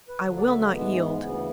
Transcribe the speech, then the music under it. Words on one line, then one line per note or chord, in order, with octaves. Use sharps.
I will not yield.
B4
D2 D3 F#3
D5
E5
F#5
G#2 E3 G#3 B3
D2 C#3 E3 B3